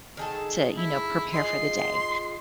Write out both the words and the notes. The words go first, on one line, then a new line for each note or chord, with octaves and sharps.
to, you know, prepare for the day,
D#3 G#4 A4
E4
D#4 F4 G#4 C6